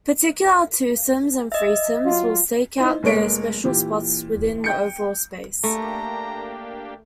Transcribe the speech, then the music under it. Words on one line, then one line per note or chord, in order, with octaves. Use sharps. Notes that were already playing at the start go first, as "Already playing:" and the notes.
Particular twosomes and threesomes will stake out their special spots within the overall space.
D#5 E5
F#3 F4
D#4 E4 C5
F1 G#3 A#3 C#5 D7
A#2 E3 G4
G5 G6 C#7
A3 A#3 D4 G4 A#5